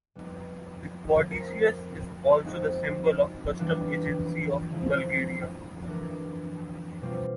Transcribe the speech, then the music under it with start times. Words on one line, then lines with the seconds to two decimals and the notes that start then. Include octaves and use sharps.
The caduceus is also the symbol of the Customs Agency of Bulgaria.
0.15 G3 B3 D#4
1.30 A3 C4 F4 A#4
2.45 F3 G#3 C4 D#4 F#4
3.59 E3 G3 B3 D4 F4
4.70 D3 F3 G#3 C4 E4
5.87 E3 A3 D4 F#4 A#4
7.01 B2 G3 C4 F4